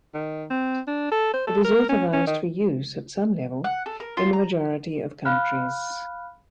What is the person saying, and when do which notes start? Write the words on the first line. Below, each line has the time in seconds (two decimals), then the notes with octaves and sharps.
It is authorized for use at some level in the majority of countries.
0.14 D#3
0.50 C4
0.87 D4
1.12 A4
1.34 C5
1.47 A4
1.65 A#4
1.89 C#4
2.13 C#4
2.27 D#3
3.64 F#5
3.86 A4
4.00 A#4
4.17 F4
4.33 A#5
5.25 F5 B5 F6 F#6